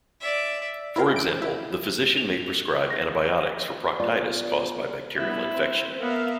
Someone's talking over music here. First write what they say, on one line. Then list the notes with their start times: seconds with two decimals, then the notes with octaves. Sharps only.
For example, the physician may prescribe antibiotics for proctitis caused by bacterial infection.
0.21 D5 E5
0.96 E4 F4 A#4 F5
1.16 D7
1.42 E4
2.17 F7
2.90 A#6
4.00 B3 F4 D5
5.16 G3 B3 E4
5.55 C4 C5
6.01 B3 A#4 E5 F5